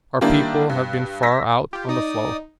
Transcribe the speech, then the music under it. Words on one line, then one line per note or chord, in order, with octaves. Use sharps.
Our people have been far out on the floe.
D#3 G3 A#3 D4 E4
G2
E6 A#6 B6
F4 G4
D#4 D5 D#6